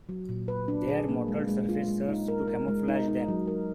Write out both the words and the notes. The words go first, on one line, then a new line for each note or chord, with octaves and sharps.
Their mottled surface serves to camouflage them.
F#3
A#2
B4
D4
G#4
A#3
G#3
G#3
F4
G#3
D#4
A#4
A#4
G#3
D#4
D#4
F#3
A#4